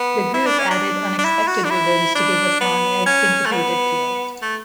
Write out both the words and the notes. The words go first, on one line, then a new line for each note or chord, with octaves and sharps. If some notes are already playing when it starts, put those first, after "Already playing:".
The group added unexpected rhythms to give the song a syncopated feel.
Already playing: B3
E4
D4
C#4
D4
D4
E4
F#4
D4
E4
D4
B3
C#4
A3
B3
A3